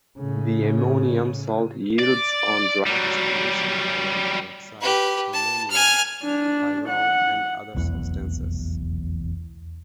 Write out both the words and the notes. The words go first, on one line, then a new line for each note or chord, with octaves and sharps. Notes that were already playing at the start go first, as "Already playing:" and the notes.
The ammonium salt yields on dry distillation carbon dioxide, ammonia, pyrrol and other substances.
A2 C#3
D5
F#3 G3
G4 B4
A5
G#5 F6
D4
F#5
F1 B1 E2 E3